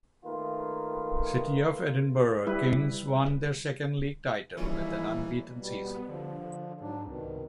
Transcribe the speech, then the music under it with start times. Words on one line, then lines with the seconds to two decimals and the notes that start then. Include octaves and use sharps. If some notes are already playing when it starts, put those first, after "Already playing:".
City of Edinburgh Kings won their second league title with an unbeaten season.
0.23 D#3 A3 A#3 F4 B4
2.47 G3 E4 B4
4.57 A#1 D#2 E3 G3 C#4 E4
5.59 B2 G3
5.85 B3
6.09 D3 F3
6.81 G#2 F#3 D4
7.07 C2 B2 D#3